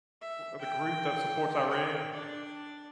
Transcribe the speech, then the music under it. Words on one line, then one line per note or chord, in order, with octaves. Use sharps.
uh, the group that supports Iran?
E5
G5
G5
D4 D5